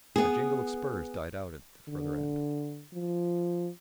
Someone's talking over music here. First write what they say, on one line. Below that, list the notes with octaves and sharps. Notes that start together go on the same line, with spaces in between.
A jingle of spurs died out at the further end.
B3 G#4
D3
F3